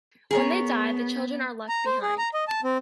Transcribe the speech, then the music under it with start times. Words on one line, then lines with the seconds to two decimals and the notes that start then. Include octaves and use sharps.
When they die, the children are left behind.
0.31 B3 G#4 A#4 C#5
1.69 A#5
1.86 C5
2.02 G#4
2.18 A#5
2.34 D#5
2.48 A5
2.64 C4